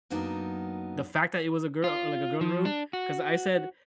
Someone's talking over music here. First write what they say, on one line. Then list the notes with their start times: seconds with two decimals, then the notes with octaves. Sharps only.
the fact that it was a gir or, like, a girl in the room. 'Cause I said,
0.10 F#2 F#3 A#3 B3 D4 D#4
1.84 F4
2.41 F3
2.65 D4
2.93 F#4